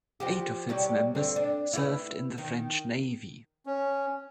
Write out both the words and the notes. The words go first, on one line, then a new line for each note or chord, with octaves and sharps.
Eight of its members served in the French Navy.
F3 F#4 G4
F#3 G3 G4
G2 D3 C4
D4
E4 F#4 B4
D#3
C#4